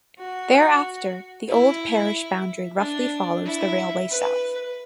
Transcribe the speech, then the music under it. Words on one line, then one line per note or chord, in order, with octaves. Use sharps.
Thereafter the old parish boundary roughly follows the railway south.
F#4
E4
D4
E4
B4